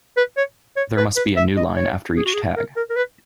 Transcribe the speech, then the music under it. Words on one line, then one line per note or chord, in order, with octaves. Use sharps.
There must be a newline after each tag.
B4
C#5
C#5
B4
B4
E5
D#5
C#5
G#4
F#4
G#4
A#4
A#4
A#4
B4